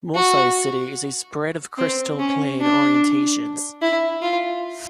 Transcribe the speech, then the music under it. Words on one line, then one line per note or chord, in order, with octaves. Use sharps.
Mosaicity is a spread of crystal plane orientations.
F#4
C4
C#4
D4
E4
F4